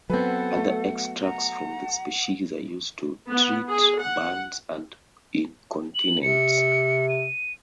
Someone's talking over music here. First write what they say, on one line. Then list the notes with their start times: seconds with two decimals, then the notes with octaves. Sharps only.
Other extracts from the species are used to treat burns and incontinence.
0.10 F#3 B3 C4 A4 B4 F#5
0.57 A3
1.22 F#5 A#5
3.31 B3
3.68 G#4
3.99 F#5
5.95 F#7
6.23 C3 C#7
7.09 D#7